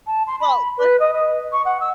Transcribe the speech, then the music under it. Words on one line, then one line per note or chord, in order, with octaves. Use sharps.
Well, what
A5
C6
B5
B4
D#5
D#5
C#6
F#5
E6